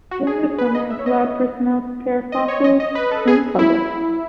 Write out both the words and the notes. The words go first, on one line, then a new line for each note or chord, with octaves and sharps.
During the summer, lab personnel prepare fossils in public.
F#4
G#4
B4
D#5
E5
C#5
D#5
D#5
C#5
D#5
D#5
B4
A4
G#4
E4